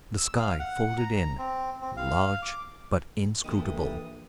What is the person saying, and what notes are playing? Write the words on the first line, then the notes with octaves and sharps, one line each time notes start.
The sky folded in, large but inscrutable.
E6
F5
F#5
A#5
C4
C4
F5
D6
A#1 E3 G#3 A#3 E4 G4 A4 D#6